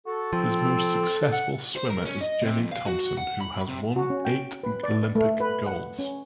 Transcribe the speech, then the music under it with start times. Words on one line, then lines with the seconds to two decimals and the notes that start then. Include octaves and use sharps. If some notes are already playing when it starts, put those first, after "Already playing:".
His most successful swimmer is Jenny Thompson who has won eight Olympic Golds.
0.06 F#4 A4
0.33 F3 C4
1.32 F#5
1.76 C5
1.90 A#4
2.05 C#4
2.21 D#5
2.43 C3
2.60 F2
2.72 F5
2.86 F#4
3.17 F#5
3.41 B5
3.68 C3
3.96 F#4
4.10 C#4
4.25 G5
4.63 B4
4.84 D5
5.15 A3
5.40 B4
5.66 F#5
5.99 C#4